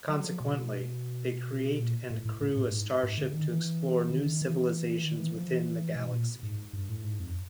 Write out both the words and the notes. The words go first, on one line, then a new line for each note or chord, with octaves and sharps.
Consequently, they create and crew a starship to explore new civilizations within the galaxy.
F#3
F3
B2
A#2
A2
A2
A2
A2
G#2
G#2
D3
D#3
E3
D#3
D#3
E3
D#3
E3
F3
E3
B2
A#2
G#2
G2
A2
G#2
F2